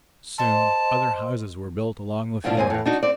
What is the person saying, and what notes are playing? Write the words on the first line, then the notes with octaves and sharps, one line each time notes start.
Soon other houses were built along the fiords.
C5 D#5 A5 C6
G2 B2 F3 D4 E4 F4
D#2 G#3 C4 G5 G#5
A2 E3
D4 D#4 F#4
C4 D5